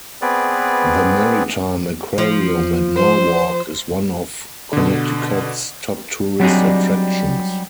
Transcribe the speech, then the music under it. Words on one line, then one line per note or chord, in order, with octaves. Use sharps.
The Maritime Aquarium at Norwalk is one of Connecticut's top tourist attractions.
B3 C4 G#4 B4 D5
F3
C5
B2 D3
F#3 G3 C4 D4 D#4 G#4